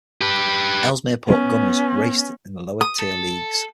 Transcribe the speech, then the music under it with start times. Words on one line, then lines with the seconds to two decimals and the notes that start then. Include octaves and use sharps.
Ellesmere Port Gunners raced in the lower tier Leagues.
0.21 G4 B4
1.27 B3 C#4
2.81 D#6
2.99 A4